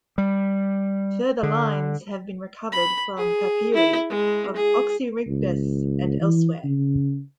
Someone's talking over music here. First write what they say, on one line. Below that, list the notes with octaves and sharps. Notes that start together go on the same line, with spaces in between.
Further lines have been recovered from papyri of Oxyrhynchus and elsewhere.
G3
D3
B5
G#4
E4
G#3
G#4
C#2
E3
C#3